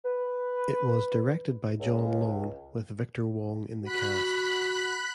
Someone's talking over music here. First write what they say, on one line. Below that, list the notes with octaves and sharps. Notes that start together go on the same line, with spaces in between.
It was directed by John Lone, with Victor Wong in the cast.
B4
C#2
F#4 B5 F#6 B6